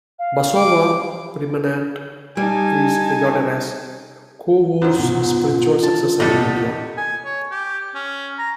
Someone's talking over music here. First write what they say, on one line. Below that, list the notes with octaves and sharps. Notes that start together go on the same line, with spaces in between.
Basava Premanand is regarded as Kovoor's spiritual successor in India.
F5
D6
G3 D#4 G#5 A5
F#2 D#3 C5
C2 G#2 B2 F4
E3 D4 D#4 A5
A#1 E2 A2 C3 G3 A4 D#5 F#5
G#5
C#5
G4
C#4
A#5